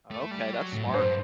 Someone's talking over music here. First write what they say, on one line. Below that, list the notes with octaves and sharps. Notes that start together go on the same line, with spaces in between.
Okay, that's smart.
A3
G3
F#3
A2
F#2
G2 C5